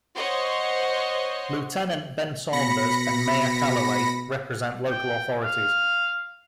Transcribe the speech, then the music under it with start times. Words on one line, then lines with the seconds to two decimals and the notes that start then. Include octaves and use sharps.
Lieutenant Ben Saunders and mayor Calloway represent local authorities.
0.16 C5 C#5 D#5 F#5 C6
2.53 B2 B5 A#6 C#7
4.90 G5
5.44 F5